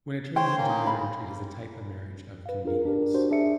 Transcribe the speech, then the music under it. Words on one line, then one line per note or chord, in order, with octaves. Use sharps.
When it turns into marriage it is a type of marriage of convenience.
C5 C#5 G5 C6
A#3 C#4
D#4
B5
B4 F5
D4 F4 G#4 A#4
D4 G4 A#4
D4 F#4 C5
D4 G#4 E5 C#7